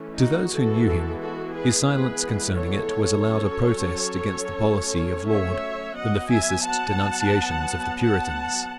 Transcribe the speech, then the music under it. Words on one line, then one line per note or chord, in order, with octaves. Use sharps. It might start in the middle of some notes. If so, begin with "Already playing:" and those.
To those who knew him his silence concerning it was a louder protest against the policy of Laud than the fiercest denunciations of the puritans.
Already playing: E3 A3 C#4
D#4 F#4
E3 G#3 B3 F#4 A4
F#4 A4
G#4 B4
E3 G#3 B3 G#4 B4
A4 C#5
F#3 C#4
F#3 A3 C#4
C#5 E5
F#3 B3 D#5 F#5
E5 G#5
F#5 A5
B3
F#3
F#5 A5